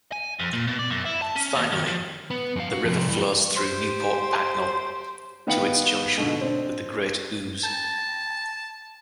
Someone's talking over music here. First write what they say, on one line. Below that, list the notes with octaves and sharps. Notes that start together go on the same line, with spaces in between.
Finally, the river flows through Newport Pagnell to its junction with the Great Ouse.
G#5
F2
A#2
B2
D5
F#2
E4
A5
C#4
D#2
D#3
F3
B3
F#2 F5
F#4
F2 C3
E3 G3
G4 C5
D#3 B3 F5 G5 C#7 F#7
G#2 B2 D3
C4 D4
A5